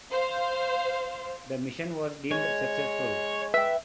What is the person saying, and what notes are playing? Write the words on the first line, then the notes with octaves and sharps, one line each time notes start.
The mission was deemed successful.
C5 F5
G#3 C#5
B4 E5 G5